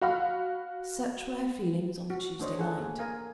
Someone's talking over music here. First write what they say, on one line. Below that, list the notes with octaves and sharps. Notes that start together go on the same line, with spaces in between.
Such were her feelings on the Tuesday night.
F#4 F5 B5 F6
F#4
A3 D4 C5 C#5 D#5
G#4 A4 F#5
A#3 G#4
A#4 F5 G#5